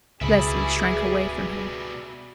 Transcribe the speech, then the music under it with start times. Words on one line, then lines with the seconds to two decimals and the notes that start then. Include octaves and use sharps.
Leslie shrank away from him.
0.21 C#2 B2 G3 G#4 E5 B5